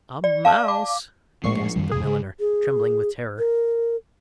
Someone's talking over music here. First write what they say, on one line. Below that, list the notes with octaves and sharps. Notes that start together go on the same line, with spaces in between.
"A mouse!" gasped the milliner, trembling with terror.
D5
F5 A5
D6
A#1 A2 G#3 A3 C#6 C7
F#2 D#3 G3
F2 G#2 C3 G#4
C#3 G#3
G#4
A#4